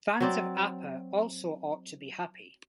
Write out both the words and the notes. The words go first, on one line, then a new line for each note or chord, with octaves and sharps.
Fans of Apa also ought to be happy.
F#3 C4 D5